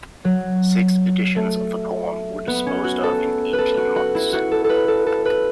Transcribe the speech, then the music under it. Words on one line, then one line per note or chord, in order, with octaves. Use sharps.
Six editions of the poem were disposed of in eighteen months.
F#3
A3
B3
C#4
F#4
A4
B4
A4
F#4
F#4
E4
F#4
A4
A4
B4
A4
A4
B4